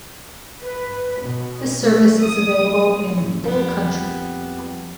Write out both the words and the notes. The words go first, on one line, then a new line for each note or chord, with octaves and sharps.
This service is available in whole country.
B4
B2
A3
D#6
F#1 A2 E4 C#5
F2 F3 G3 A#3 B3 C5